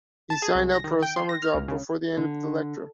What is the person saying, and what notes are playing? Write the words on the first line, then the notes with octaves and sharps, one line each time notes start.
He signed up for a summer job before the end of the lecture.
A5
G#4
C2
A#6
D#3
G5
C6
A#6
F6
C#2
C#3
D3